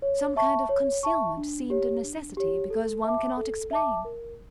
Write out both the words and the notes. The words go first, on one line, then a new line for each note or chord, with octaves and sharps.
Some kind of concealment seemed a necessity because one cannot explain.
C#5
E5 A5 C#6
C#5
E5 A5 C#6
D4
G4 C#5
D4
G4 C#5
A4
E5 A5 D6
A4
E5 A5 D6
A#4